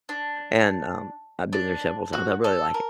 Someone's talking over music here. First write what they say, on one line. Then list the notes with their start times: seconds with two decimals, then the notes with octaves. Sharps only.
and, um, I've been there several times, I really like it.
0.09 D4
1.53 D4
2.13 F#4
2.44 A4
2.74 A#4